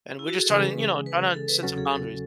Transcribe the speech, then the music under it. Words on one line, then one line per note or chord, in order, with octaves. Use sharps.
And we're just starting, you know, trying to set some boundaries.
E4
F#4
G#4
A4
C#3 E3 G#3 C#4 G#4 B4
B4
A4
B4
E2 C#3 F#3 C#4 F#4 A4
G#4
A4